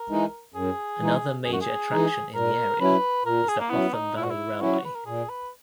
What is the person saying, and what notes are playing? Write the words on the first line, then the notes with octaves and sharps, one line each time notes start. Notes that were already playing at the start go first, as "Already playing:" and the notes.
Another major attraction in the area is the Hotham Valley Railway.
Already playing: A#4
E3 G#3 D#4
F#2 G#4
E3 G#3 D#4
F#2 G#4
F#4
G#4
E3 G#3 D#4
A#2 A#4
F#3 C#4 E4 B4
A#2 A#4
G#4
A#3
F#3 B3 C#4 E4
D#4
A#2 E4
F#4
E4
F#3 C#4 E4 F#4
B4
A#4
A#2 G#4
B4